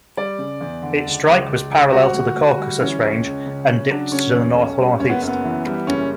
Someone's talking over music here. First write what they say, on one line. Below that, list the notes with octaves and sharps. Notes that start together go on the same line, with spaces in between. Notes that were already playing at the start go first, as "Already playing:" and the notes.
Its strike was parallel to the Caucasus range and dipped to the north-northeast.
G3 D5
C#3
E2
D3
C#2
C#2
C#2
C#2
G3 F#4
D2
D2
G3
E3 C#4
C#2
C#2
C#3
C#3 C#4
F#3 D4
C#3 C#4
E2
B1
G3
F#1 C#4
B3
F#2
B3
E3
G3
F#1 C#4